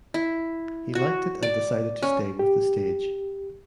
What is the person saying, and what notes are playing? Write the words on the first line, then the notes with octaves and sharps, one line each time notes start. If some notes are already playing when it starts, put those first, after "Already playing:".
He liked it and decided to stay with the stage.
E4
F#4
D5
C#4
G4